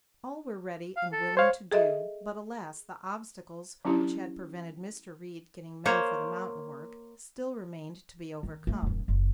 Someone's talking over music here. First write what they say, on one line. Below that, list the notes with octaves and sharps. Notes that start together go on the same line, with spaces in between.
All were ready and willing to do; but, alas, the obstacles which had prevented Mr. Reed getting men for the mountain work still remained to be overcome.
F5
A4
C5 C#5 F5
G#4 A4 D#5 E5
F#3 C#4 D4 E4 G4
A#3 C5 C#5
D#3
D#3 A3
D#1 F#2
F#1